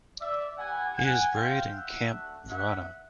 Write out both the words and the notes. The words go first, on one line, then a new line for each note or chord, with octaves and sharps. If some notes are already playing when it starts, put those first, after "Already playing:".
He is buried in Campo Verano.
D5 E5
B3 E4 G4 F#5 G#5
F#5 G#5
C4 F4 F5 G5
E5 F#5
A3 D4 F#4
E5 F#5